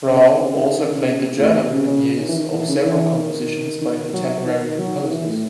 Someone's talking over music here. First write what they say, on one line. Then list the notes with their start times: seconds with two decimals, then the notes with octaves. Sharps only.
Rauh also played the German premieres of several compositions by contemporary composers.
0.10 C#3
0.26 C3
0.37 D#3
0.42 C#3
0.58 D#3
0.90 C#3
1.23 C3
1.39 A2
1.55 C3
1.71 C#3
1.87 C#3
2.19 D#3
2.29 E3
2.37 D#3
2.52 E3
2.68 C#3
2.76 D#3
2.84 E3
3.16 D#3
3.82 D#3
4.14 F#3
4.46 D#3
4.79 F#3
5.03 D#3
5.10 E3
5.27 A2